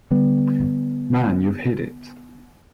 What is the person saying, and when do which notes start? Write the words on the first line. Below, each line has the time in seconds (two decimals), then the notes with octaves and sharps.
Man, you've hit it!
0.11 D3 G3 B3